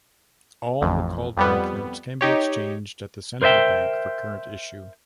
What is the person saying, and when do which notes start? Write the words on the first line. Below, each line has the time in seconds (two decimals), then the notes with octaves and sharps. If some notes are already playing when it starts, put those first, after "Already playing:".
All recalled banknotes can be exchanged at the central bank for current issue.
0.81 A1 F2
1.37 F2 G3 B3
2.21 D#4 G4 C#5
3.42 A#4 C5 D5 E5 G5